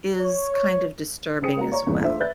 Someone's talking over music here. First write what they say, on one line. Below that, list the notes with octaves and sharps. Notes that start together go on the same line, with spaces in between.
is kind of disturbing as well.
C#5
C#3 G#4 C5 G5 D#6 C#7
A#3 F#4 A#5
C#5 D5 A#5 C#6
E2 G2 A#2 E3
A3 D4 F4 C5 E5
B4 D5 E5 F#6 G6 A6